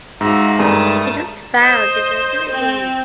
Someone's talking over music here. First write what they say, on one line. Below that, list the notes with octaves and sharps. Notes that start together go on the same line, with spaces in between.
It is found in the Philippines.
G#2 F#4 E5 F5 A#5
G2 A3 A#4 A5 D#6
C5 D#5
C4